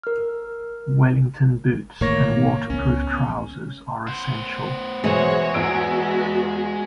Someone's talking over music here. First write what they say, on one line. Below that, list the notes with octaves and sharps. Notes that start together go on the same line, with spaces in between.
Wellington boots and waterproof trousers are essential.
A#4 F6
A1 A2 D#3 A#3 C#5 A#6
C#2 B3 C#4
B3 C5
F#2 B2 E3 G#3 F#4 C5 C#5
E2 G#3 B3 F#4 E6 D7